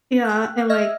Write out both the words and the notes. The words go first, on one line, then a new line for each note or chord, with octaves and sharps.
Yeah, and, like,
G5 F#6
D#5 E5 E6 F6 G#6 A#6